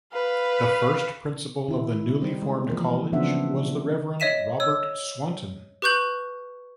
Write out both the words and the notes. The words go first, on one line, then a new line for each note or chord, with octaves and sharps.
The first principal of the newly formed college was the Reverend Robert Swanton.
B4 F5
D#3 E4
G3 C4 D#4
G#3
E3 F3 A#3 A#4
C#3 F3 B3 D4 E5 F#5
C#5 D#5 E5 B6 D#7 E7
C#5 E6
G4 B4 C#6 F#6 G6 F#7